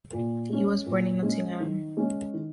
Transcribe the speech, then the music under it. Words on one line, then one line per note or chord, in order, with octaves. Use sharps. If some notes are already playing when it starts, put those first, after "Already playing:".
He was born in Nottingham.
A#2
G#3 C#4
A#2
G#3 C#4
D#3
G#3 C#4
D#3